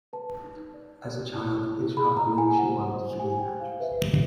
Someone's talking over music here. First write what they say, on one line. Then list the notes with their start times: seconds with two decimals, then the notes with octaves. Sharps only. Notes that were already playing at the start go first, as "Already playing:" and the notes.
As a child, Hitchcock knew she wanted to be an actress.
0.13 B4 A5
0.43 D#4
0.74 D5
1.05 D5
1.35 E4
1.67 E4
1.97 G#4 B5
2.17 A#5
2.27 E4
2.38 G#5
2.58 C5 F#5
2.89 C5
3.20 G4 G#5
3.40 G5
3.50 C5
3.60 F5
3.80 B4 E5